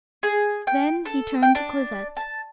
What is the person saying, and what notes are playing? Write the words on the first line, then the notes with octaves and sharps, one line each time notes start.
Then he turned to Cosette.
G#4
G5
A4
G5
D4
A5